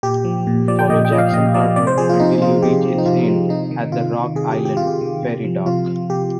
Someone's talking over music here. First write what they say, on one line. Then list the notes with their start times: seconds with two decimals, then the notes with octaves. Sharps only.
Follow Jackson Harbor until you reach its end at the Rock Island Ferry dock.
0.03 A#2 G4
0.25 F3
0.47 A#2
0.68 F3 D5
0.79 G5
0.90 A#2 D#5
1.05 G5
1.12 F3 D#5
1.18 F5
1.33 A#2 D#5
1.54 F3 D5
1.76 C3 D5
1.87 C5
1.98 F3 G#4
2.09 F4
2.20 C3 D#4
2.42 F3 F4
2.63 C3 G4
2.85 F3
2.98 D#4
3.06 C3 F4
3.28 F3
3.49 C3 D#4
3.71 D#3
3.92 C3 F4
4.14 D#3
4.35 C3 G#4
4.51 G4
4.57 D#3
4.65 G4
4.77 C3 F4
4.87 G4
5.01 D#3
5.23 C3
5.45 F3
5.66 C3 F4
5.87 F3
6.10 C3 G4